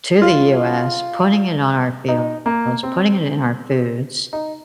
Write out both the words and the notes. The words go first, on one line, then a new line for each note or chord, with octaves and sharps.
to the US, putting it on our fields, putting it in our foods,
F4
D#4
A#3
C4
D#4